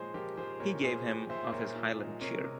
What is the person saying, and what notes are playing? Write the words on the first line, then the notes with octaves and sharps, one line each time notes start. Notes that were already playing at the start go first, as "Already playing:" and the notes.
He gave him of his highland cheer.
Already playing: A#2 F3 G#3 G#4 C5 C#5
F3 G4 A#4
F3 G#4 C5
A#2 A#4 C#5
A#2 G#4 C5
A#2
A#2 C5 E5
A#2 A#4 C#5
A#2
G#3
C3 A#4 C#5
C3